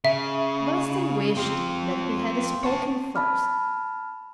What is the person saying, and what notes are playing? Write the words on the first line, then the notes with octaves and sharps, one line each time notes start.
Buster wished that he had spoken first.
C#3 E5
C4 F4
C#5 A5
A5 B5 F6